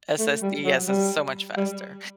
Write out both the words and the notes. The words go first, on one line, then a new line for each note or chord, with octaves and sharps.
SSDs is so much faster.
A3
G3
F#3
G3
G3